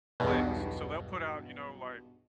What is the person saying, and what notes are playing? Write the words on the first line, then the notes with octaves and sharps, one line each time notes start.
clicks, so, they'll put out, you know, like,
B1 E2 G2 B2